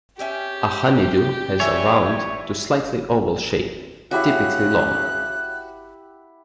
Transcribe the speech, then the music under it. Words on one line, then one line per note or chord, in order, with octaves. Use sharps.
A honeydew has a round to slightly oval shape, typically long.
C#4 G4 E5 G5
E3 D4 C#5 E5 G#5
C#3 E4 F#4 G4 F#5 F#6